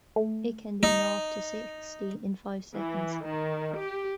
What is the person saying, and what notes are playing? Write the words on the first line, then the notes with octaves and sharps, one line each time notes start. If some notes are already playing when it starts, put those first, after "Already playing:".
It can do nought to sixty in five seconds.
A3
D#4
E3
D#3
G4